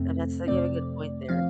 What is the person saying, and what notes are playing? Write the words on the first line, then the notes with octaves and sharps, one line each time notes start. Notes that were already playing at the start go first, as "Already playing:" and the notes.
And that's you have a good point there.
Already playing: F2 C3 A3 C4
F2 C3 A3 C4 D5
F3 C4 F5